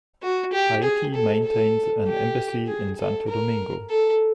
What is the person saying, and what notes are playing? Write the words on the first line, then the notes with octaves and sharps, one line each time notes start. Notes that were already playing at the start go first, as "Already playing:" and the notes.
Haiti maintains an embassy in Santo Domingo.
F#4
G4
G#4
A4
A4
G4
G#4
A4
A#4
A4